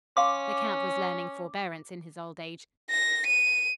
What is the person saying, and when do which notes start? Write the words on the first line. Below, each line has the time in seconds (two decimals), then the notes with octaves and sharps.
The count was learning forbearance in his old age.
0.17 C#4 F5 C6 D6
2.90 A#6
3.27 D#7